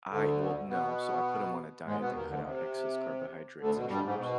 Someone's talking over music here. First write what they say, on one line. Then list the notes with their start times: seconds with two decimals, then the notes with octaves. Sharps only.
I well, no. So, I put him on a diet that cut out excess carbohydrates and sugars.
0.11 D2 D3
0.69 B2 B3
1.85 G#2 G#3
2.00 B2 B3
2.14 D#2 D#3
2.29 D2 D3
2.44 C3
3.61 D2 D3
3.75 B2
3.89 G2 G3
4.04 G#2
4.18 B2